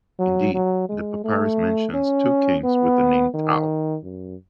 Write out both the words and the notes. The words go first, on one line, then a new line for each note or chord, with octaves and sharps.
Indeed, the papyrus mentions two kings with the name Tao.
F#3
F#3
G#3
A3
C#4
B3
D#3
F#2